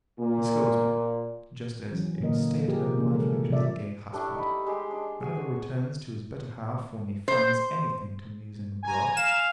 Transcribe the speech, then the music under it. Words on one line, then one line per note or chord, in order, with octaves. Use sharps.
He scolds me, just as a stay-at-home wife lectures a gay husband, who never returns to his better half when he finds any thing to amuse him abroad.
A#2
E3 F#3 C#4
A#2 D3 A#3 A#4 D#5
F3 G4 G#4 A#4
C3 E3 A#3 C#4
C#3 G#3 A4 A#4
C3 F3 G3 C#4 D5 E5
G3 A3 D4 E4
D#4 B5
G#3 G4 C6
D4
F#4 G#4 G#5
C#5
C5
G#5 A#5
F5 E7